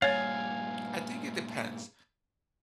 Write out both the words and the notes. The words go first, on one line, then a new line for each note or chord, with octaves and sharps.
I think it depends,
G2 A#2 C#5 F5 G#5